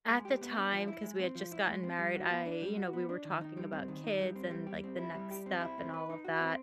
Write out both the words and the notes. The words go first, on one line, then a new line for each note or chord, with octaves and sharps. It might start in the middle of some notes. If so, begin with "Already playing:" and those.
at the time, because we had just gotten married, I you know, we were talking about kids and, like, the next step and all of that.
G#3
G4
B3
D4
F3
E4
G#3
C4
F3
E4
G#3
C4
G3
F#4
B3
D4
G3
F#4
B3
D4
D#3
D#4
G3
C4
D#3
D#4
G3
C4
G3
G4
C4
E4
G3
G4
C4
E4
C4
B4
D#4
F#4
C4